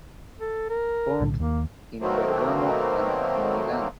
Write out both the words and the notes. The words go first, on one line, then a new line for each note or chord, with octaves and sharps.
Formed in Bergamo and in Milan.
A4
A#4
B1 A2 D3
D#2 A#3
B2 D#3 F#3 A3 A#3 C4